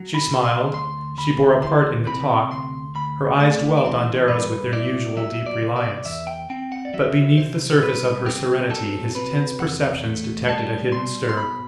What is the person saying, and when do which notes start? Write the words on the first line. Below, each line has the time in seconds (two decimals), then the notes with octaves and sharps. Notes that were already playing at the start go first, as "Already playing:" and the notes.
She smiled, she bore a part in the talk, her eyes dwelt on Darrow's with their usual deep reliance; but beneath the surface of her serenity his tense perceptions detected a hidden stir.
Already playing: F#3
0.14 B5
0.29 C3
0.44 C6
0.73 D2 C6
1.18 D2 B5
1.62 E3 C6
2.07 C3 B5
2.51 D2 C6
2.95 D2 B5
3.40 A3 D5
3.77 D5
3.84 E3 C5
4.27 G2 B4
4.73 E4 D5
5.17 F#3 E5
5.46 D5
5.62 C3
5.76 D5
6.05 E2 E5
6.27 G5
6.50 C4 G5
6.72 F#5
6.85 D5
6.94 F#3 E5
7.38 C3 C5
7.83 C2 B4
8.26 C4 G4
8.70 F#3 A4
9.15 C3 B4
9.59 E2 F#5
10.04 A3
10.48 G3 A5
10.92 B2 C6
11.29 C6
11.37 B1 B5